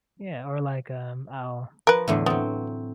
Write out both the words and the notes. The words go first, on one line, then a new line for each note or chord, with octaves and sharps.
yeah, or, like, um, I'll
F3 A#4 B4
E2 A2 D3
F#3 B3 C4